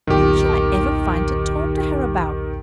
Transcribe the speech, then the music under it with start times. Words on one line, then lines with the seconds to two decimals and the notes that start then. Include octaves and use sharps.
What shall I ever find to talk to her about?
0.07 B1 E2 A#2 D#3 G4